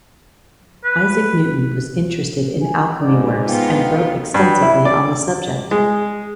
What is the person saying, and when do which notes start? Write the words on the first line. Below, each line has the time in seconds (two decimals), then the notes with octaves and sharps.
Isaac Newton was interested in Alchemy works and wrote extensively on the subject.
0.85 B4
2.61 G#5
3.00 G#2 D5
3.47 B3 D#4 F4 G5
4.34 G2
4.62 E4
4.85 D5
5.71 G#3